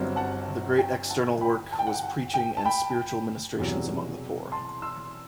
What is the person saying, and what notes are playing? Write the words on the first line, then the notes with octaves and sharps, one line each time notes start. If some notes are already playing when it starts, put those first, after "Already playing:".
The great external work was preaching and spiritual ministrations among the poor.
Already playing: G1 G2 F#3 C4
F#5 A5
G5
F#5 A5
G5 B5
A5
G5
F#5
G5
F#5
G5
A5
G5 B5
E1 E2 C3 F#3
A5 C6
C6 E6